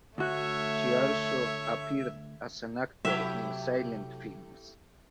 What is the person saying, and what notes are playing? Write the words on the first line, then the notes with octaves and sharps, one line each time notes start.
She also appeared as an actor in silent films.
D2 A3 F#4 C#5 E5
C3 F#3 A3 E4 G4 E5